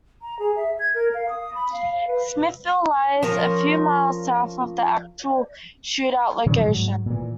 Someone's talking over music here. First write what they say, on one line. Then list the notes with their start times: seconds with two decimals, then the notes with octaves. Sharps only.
Smithville lies a few miles south of the actual shootout location.
0.22 A#5
0.39 G#4
0.56 E5
0.79 G#6
0.95 A#4
1.14 F5
1.29 D#6
1.55 B5
1.72 F5
1.92 F5
2.08 B4
3.23 F3 C#4 A#4
6.46 A#2 D#3 F#3 G3
6.67 G#2 F#3
7.06 A#2 E3